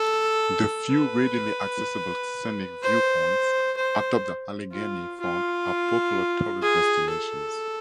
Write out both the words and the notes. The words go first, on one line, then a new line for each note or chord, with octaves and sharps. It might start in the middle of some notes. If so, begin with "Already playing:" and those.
The few readily accessible scenic viewpoints atop the Allegheny Front are popular tourist destinations.
Already playing: A4
B4
C5
C5
F4
F4
G#4
A4